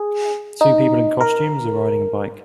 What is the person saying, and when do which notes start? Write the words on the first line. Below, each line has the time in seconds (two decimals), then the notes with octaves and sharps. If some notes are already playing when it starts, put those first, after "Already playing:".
Two people in costumes are riding a bike.
Already playing: G#4
0.61 D#4
1.21 A#4